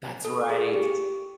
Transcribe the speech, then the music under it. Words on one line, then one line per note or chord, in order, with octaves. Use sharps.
That's right.
A4
G#4
G4